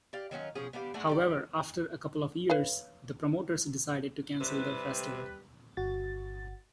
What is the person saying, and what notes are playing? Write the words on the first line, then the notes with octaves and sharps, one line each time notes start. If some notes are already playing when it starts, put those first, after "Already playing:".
However, after a couple of years, the promoters decided to cancel the festival.
G4 D5 F5
D#3 F#3 C#4 F4
B2 F3 C#4 G#4
B3 D4 G4 F5
A3 D4 F#4 G#4
D3 G4 D5
B4 C#5 F5
C3 G3 B4
G1 F#4 A6